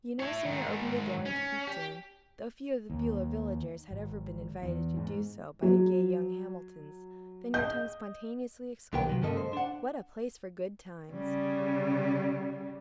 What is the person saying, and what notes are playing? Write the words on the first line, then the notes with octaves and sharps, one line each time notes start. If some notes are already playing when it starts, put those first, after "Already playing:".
You no sooner opened the door and peeped in, though few of the Beulah villagers had ever been invited to do so by the gay young Hamiltons, than your tongue spontaneously exclaimed: "What a place for good times!"
E4 C#5
G#2 D#3
C#4
G4
D#2
G#1
E2
G#2
F#3
D#5 G6
B1 D#3 G3 A#3 B3 G5
C3 D#3 F#3
G2 C#3 G#3 A#3 A4 D#5
C5
D4 F#5
C#3 G3